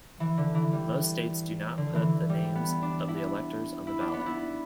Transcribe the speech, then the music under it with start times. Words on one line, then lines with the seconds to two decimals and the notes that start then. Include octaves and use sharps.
Most states do not put the names of the electors on the ballot.
0.20 E3
0.38 D3
0.55 E3
0.73 G3
1.78 D3
1.95 E3
2.30 G3
2.55 B3
2.82 D4
3.08 E4
3.87 E4
4.01 D4
4.14 B3
4.26 E4